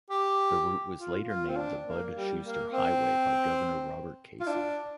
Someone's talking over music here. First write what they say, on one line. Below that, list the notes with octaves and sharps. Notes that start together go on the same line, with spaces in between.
The route was later named the "Bud Shuster Highway" by Governor Robert Casey.
G4
F4
F4
C4
D4
A#3
G3
A#3
C4
F4
D4